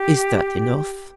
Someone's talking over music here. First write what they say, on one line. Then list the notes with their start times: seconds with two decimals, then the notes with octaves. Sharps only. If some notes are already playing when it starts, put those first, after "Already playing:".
"Is that enough?"
Already playing: G4